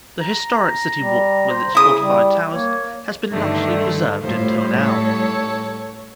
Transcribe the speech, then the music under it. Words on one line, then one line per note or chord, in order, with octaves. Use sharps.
The historic city wall with its fortified towers has been largely preserved until now.
A#5
G3
C5
C#3 E4 D#6
G3
A#3 C#5
G2 D3 D#3 A3
A2 G3 F4 C5
A4 C#5